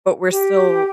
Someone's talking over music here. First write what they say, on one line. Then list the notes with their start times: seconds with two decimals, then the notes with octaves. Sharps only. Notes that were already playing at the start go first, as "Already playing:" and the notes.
But we're still
0.30 G4